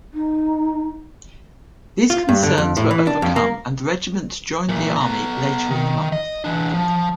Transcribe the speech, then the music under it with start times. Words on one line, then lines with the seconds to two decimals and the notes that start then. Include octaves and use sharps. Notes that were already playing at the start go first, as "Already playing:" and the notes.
These concerns were overcome and the regiment joined the army later in the month.
0.14 D#4
2.10 F4
2.29 G2
2.43 D3
2.58 F2
2.77 A2
2.91 E3
3.07 D4
3.22 F2
3.36 A#3
4.69 A#2 E3
4.96 B3 A#5
5.70 D#3
6.13 D#5
6.44 E3 D4
6.74 F3